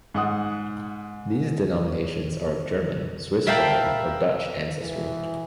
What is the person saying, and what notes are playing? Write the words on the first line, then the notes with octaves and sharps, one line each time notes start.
These denominations are of German, Swiss German or Dutch ancestry.
G#2 F#5 D#6
A#4 E5 F5 G5 A5 B5
E3